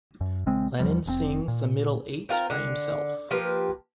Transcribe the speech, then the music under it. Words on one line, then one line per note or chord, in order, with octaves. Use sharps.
Lennon sings the middle eight by himself.
F#2
A#1 C#3 G#3 C4
E2 F3 G3
F1 A#2 C4
A#2
C4 F4 A#4
D3
F3 A#3 G4 B4